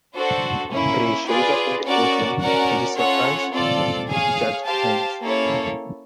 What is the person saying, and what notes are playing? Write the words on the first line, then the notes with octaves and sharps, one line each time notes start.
Gray shows up in the courtroom, to the surprise of Judge Helms.
D4 F#4 A4 C5
A#3 C#4 E4
F4 G#4 B4 D5
C#4 F#4 A#4 D5
C#4 F#4 A#4 D5 F#5
C#4 F4 A4 C#5 F#5
C4 F4 A4 D5
G#4 C#5 F5 G#5
G4 C5 F5 A5
A#3 C#4 E4 A4 C#5